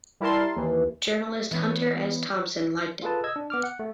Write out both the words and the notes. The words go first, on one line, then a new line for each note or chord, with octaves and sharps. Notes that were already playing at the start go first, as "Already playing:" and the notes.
Journalist Hunter S. Thompson liked it.
G3 E4 A#4 A5 C6
D#2 E3
E3 B3 C#5
F4 G#4 A4 B4 A5
D#5 E6 G#6
D4
B3 D6 F6
F#5
A3